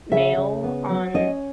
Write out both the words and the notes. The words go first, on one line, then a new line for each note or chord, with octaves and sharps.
male on
C#3 E5
C#3
B3
F#3
C#4 D#5